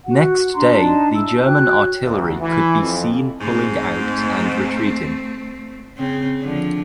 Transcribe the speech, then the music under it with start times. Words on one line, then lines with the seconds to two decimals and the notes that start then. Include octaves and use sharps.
Next day the German artillery could be seen pulling out and retreating.
0.06 F#4 F#5
0.54 D4 F#4 A#5 C6
0.75 D4 D#4 D5 A5
1.14 E4 E6
1.45 F#4 C#5 G5 F#6
2.04 D2
2.40 E3
2.80 F2
3.40 G#2 A3 C4
5.98 C#3 C4
6.42 D3 F3